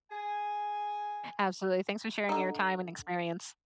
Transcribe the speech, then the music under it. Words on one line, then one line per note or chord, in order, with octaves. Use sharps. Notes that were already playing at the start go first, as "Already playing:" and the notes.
Absolutely, thanks for sharing your time and experience.
G#4 G#5
D3 D#4